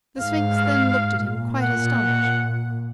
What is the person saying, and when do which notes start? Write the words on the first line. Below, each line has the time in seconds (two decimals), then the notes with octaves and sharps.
The Sphinx then looked at him quite astonished.
0.19 G#2 F5
1.12 A#2
1.62 F#5